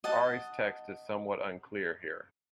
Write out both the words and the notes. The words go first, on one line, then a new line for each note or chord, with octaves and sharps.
Ari's text is somewhat unclear here.
D#5 F#5 A5